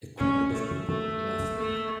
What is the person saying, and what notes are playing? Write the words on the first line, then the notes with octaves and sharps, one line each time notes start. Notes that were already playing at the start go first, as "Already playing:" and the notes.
A crowd of people laughing.
C#4
A3
A3
A3